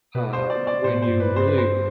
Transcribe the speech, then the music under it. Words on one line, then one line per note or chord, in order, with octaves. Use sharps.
uh, when you really
B2 B4
C5
D5
D5
A2 C5
C5
G2
B4
G2 C5
B4
C5